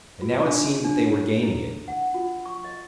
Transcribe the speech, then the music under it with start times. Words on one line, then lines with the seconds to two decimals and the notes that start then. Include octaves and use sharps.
And now it seemed that they were gaining it.
0.22 F4
0.46 D4
0.84 D4
1.04 C#5
1.43 E4
1.88 F#5
2.14 F4
2.46 C#6
2.64 D#5